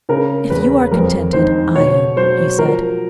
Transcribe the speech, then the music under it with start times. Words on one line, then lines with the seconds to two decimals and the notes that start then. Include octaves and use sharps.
'If you are contented, I am,' he said.
0.09 C#3 A#4
0.50 E2 B4
0.92 F2 A#4
1.33 D#3 C5
1.75 B2 C#5
2.16 F#3 C5
2.59 F3 A#4